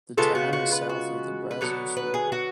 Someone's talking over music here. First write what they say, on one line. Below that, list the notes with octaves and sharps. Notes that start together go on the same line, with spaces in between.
The town is south of the Brazos River.
C#3 G#3 B3 F4 A4
F#4
F#4
B4
F#4
B4
D3 F#3 B3 A4
B4
G#4
F#4